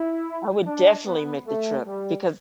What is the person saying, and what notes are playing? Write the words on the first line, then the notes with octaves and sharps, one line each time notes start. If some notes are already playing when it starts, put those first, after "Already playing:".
I would definitely make the trip, because
Already playing: E4
D4
B3
A3
G3